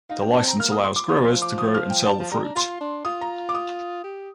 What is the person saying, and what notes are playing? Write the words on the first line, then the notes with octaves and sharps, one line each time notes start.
The license allows growers to grow and sell the fruits.
D#4 F5
D4 G5
A5
C4
A#5
A#3 F6
D#6
C6
D6
F3 D#6
C6
D6
D#6
F6
G5
G3 A5
F3
G3 A#5
D4
F4 C6
D4
F4 D#6
A#5
D6
D#6
G4